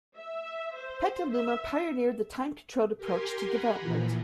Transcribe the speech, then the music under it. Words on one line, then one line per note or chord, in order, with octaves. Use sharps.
Petaluma pioneered the time-controlled approach to development.
E5
C5
E5
G4 A#4 G#5 C6
F#5 G#5 A#5 B5
A#2 E3 F3